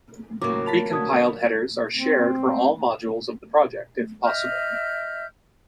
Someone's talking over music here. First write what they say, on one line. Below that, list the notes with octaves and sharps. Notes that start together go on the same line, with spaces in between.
Precompiled headers are shared for all modules of the project if possible.
D#2 A2 C#3 F#3 A#3 D6
F4 A5 B5 A6 B6 F7
B2 D3 A5 D#6 G#6
C4
D#5 E5 F6 G6